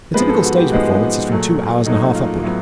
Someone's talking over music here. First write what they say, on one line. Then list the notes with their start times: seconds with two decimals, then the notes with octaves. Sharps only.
The typical stage performance is from two hours and a half upward.
0.14 G#2 F3 G#3 B3 B4
0.29 A4
0.44 F#4
0.57 G4
0.71 G#2 F3 G#3 B3 G#4
1.29 A#2 F#3 A3
1.86 A#2 F#3 A3 D#4
2.15 F4
2.43 A2 F#3 B3